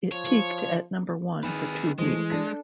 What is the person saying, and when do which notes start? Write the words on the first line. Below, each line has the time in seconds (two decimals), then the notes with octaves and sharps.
It peaked at number one for two weeks.
0.12 F3 C#5
1.43 D#3 G#4 B4
1.99 E3 G#3 A3 C5
2.32 D4 A4